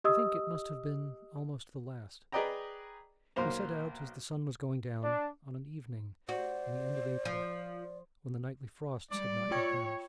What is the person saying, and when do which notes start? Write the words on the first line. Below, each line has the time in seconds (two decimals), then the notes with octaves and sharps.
I think it must have been almost the last. We set out as the sun was going down on an evening in the end of April, when the nightly frosts had not yet vanished.
0.04 G4 D#5 D#6 E6
2.32 G#4 B4 D5 D#5 G5 A#5
3.36 B1 A#3 C5 A#5
5.02 D4
6.29 F#4 C5 D5
7.25 F3
9.11 G3 D5
9.51 F4 C#5 G5 G#6